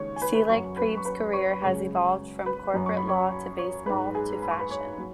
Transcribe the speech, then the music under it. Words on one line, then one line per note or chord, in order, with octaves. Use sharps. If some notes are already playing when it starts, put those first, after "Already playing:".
Selig-Prieb's career has evolved from corporate law to baseball to fashion.
Already playing: D#2 C#3 G#3 C#5 C#6
G#5
B4 B5
B4 B5
F#2 F#3 C#5 C#6
B4 B5
C#6
B4 B5
C#5 C#6
B5
F#2 C#3 G#3 C#5 C#6
B4 B5
F#2 F#3
C#6
B5
C#5 C#6
C#5 C#6
G#2 G#3 B4 B5
G#4 G#5
B5
C#6
B4 B5
C#5 C#6
F#3